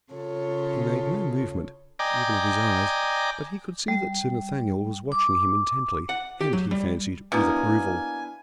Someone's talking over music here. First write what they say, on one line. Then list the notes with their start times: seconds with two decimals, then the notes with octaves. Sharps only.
He made no movement, even of his eyes, but he could see that Sir Nathaniel was watching him intently, and, he fancied, with approval.
0.12 C#3 F4 A4 C#5
1.99 D5 D#5 G5 G#5 A#5 D6
3.88 G3
5.12 D6
6.09 F#5
6.41 G4
6.53 F#3
6.71 G3
7.32 B2 A#3 B3 D4 E4 G#5